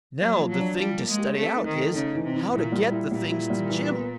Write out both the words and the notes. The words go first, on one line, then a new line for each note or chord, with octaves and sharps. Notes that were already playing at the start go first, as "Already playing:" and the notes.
"Now, the thing to study out is, how to get the things to Jim."
F#3 A#3
F3
F#3
D4
F3 G3
A#3
G#3
G4
A3 C4
D#4
D#3
A3
C#3 D#4
E3
C3
E3
A#2 E4
G3
E4
A#2 G3
E4
G3
E3
B3